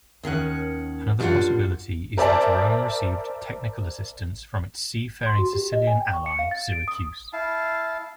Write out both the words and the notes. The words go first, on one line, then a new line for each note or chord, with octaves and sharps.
Another possibility is that Rome received technical assistance from its seafaring Sicilian ally, Syracuse.
D#2 D#3 C#4 F#5
F#2 G3 D4 F4 F#5
A#4 C5 D5 E5 G#5 A5
C6
F#4
G4
D#5
G#5
G5
C#6
C#7
F5
A6
D7
D#6
E4 F5 A5